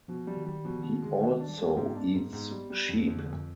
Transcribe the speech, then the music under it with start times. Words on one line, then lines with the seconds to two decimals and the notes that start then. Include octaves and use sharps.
He also eats sheep.
0.08 B2 F3
0.27 G3
0.37 D#3
0.46 G3
0.65 B2 F3
0.78 D#3
0.83 B2
0.93 D#3
1.02 D3 G#3
1.20 B2 D#3
1.39 D4
1.49 G3
1.58 G#3
1.76 G#2 B3
1.95 D4
2.14 G#2
2.33 G#2
2.51 G3
2.70 G3
2.89 F2 C4
3.07 F2
3.16 D3
3.26 F2